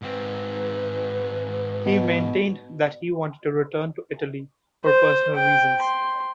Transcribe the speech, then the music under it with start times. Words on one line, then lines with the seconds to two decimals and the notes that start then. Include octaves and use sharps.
He maintained that he wanted to return to Italy for personal reasons.
0.02 G#2 C4 B4
1.86 B2
4.85 C5
5.36 G5
5.82 C6